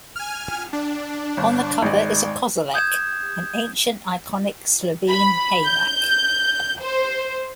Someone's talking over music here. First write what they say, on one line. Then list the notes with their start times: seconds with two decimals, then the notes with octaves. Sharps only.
On the cover is a kozolec, an ancient iconic Slovene hayrack.
0.16 G#5 F6
0.73 D4
1.37 G1
1.82 G#1 G#3 D5
2.74 D#6 G6 G#6 E7
5.09 B5
5.65 G6
6.82 C5